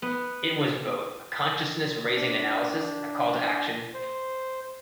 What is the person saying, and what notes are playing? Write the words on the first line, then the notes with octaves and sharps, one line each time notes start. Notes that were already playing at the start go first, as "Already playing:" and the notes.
It was both a consciousness-raising analysis and a call-to-action.
B3
D4
C5